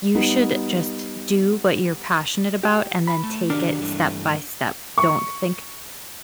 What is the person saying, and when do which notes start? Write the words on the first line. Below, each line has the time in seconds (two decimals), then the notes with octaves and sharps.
You should just do what you're passionate about, and then take it step by step. Don't think
0.15 G3 B3 D#4
2.63 G4
3.07 B5
3.23 A3
3.50 D#3 D4 F#4 G4 A#4
3.81 G2 E3 A3
4.98 C#6